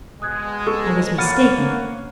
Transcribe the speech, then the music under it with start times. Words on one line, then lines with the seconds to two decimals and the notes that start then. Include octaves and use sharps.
I was mistaken.
0.22 B2 G#3 D#6 F#6 G#6
0.67 A4 C#6
1.18 A#3 C#5 F5 F#5 B5 F6 A6 D#7